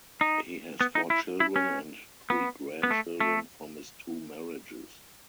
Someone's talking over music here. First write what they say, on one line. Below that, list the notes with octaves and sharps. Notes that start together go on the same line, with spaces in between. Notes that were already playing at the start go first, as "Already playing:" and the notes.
He has four children and three grandchildren from his two marriages.
D#4
B3
D#4
E4
E4
C#4
B3
B3
A3
A3